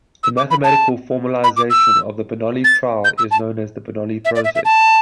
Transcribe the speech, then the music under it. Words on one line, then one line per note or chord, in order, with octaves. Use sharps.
The mathematical formalisation of the Bernoulli trial is known as the Bernoulli process.
E6
D6
B5
A5
B5
D6
E6
A6
G6
E6
A5
E5
D5
E5
E5
A5